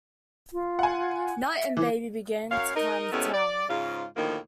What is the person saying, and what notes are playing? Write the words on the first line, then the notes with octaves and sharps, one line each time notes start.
Knight and Baby begin to climb the tower.
F4
F#5 G#5
E5
E3 D6
F#2 C#5 F5
D#4 A#4
A2 C3 G#3 A3 B3 C#4
D5
G#2 C#3 F4
D2 A2 D#3 F3 A#3